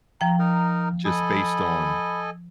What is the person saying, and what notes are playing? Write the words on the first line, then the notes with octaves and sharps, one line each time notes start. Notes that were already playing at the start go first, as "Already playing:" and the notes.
just based on
F3 G5 A#5
D#4 A#4 A#5
A4 D#5 G#5 B5